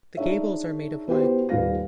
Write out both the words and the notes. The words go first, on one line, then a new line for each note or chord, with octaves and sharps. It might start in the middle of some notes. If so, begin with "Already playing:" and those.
The gables are made of wood.
D4 D#4 G#4 C#5 E5
B3 E4 F#4 G4 B4 C5
D#1 G3 B4 F5 A#6